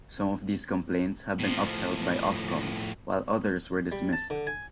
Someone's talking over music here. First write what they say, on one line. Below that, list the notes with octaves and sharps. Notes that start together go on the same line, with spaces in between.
Some of these complaints have been upheld by Ofcom, while others were dismissed.
A2 F3
G3
A5
D3
G#5